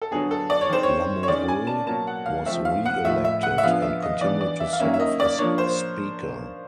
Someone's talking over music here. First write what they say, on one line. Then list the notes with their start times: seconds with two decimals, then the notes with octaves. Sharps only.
Lamoureux was re-elected and continued to serve as Speaker.
0.02 A4
0.11 D3 F#3 B3 D4 G#4
0.31 A4
0.50 D5
0.61 C#5
0.69 D#3 G#3 C4 C5
0.83 C#5
1.23 C#5
1.28 D#3 G#3 C#4 D5
1.48 G#5
1.67 A5
1.87 B2 F#3 A#3 A5
2.07 F#5
2.26 F5
2.46 F3 A3 C4 E5
2.65 F5
2.85 F#5
3.04 A2 F3 A3 E5
3.25 E5
3.43 F#5
3.58 E5
3.63 F3 G#3 B3 D4 F5
3.82 E5
4.02 D#5
4.21 E3 G3 B3 D4 D5
4.41 D5
4.60 E5
4.73 F5
4.80 D#3 F#3 A#3 C#4 E5
4.94 E5
5.00 D#5
5.20 D5
5.38 F3 A#3 D4 C#5
5.58 C5